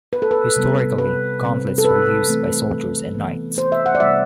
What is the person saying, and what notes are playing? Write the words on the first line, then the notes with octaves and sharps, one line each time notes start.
Historically, gauntlets were used by soldiers and knights.
B4
A4
B4
C3 G3 B3
B4
C3 G3 C4
A4
B4
E3 A3 C4
E3 B3
C5
E5
F#5
D5
C3 G3 B3 E5